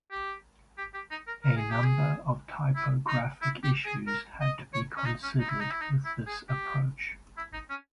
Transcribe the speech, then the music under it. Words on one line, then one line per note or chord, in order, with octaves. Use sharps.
A number of typographic issues had to be considered with this approach.
G4
G4
G4
D#4
A#4
A#4
G#4
G4
G#4
E4
D#4
E4
G4
G#4
A#4
D#5
C#5
C#4
D#4
C#4
D#4
E4
D#4
E4
D#4
E4
G#4
G4
E4
D#4
C#4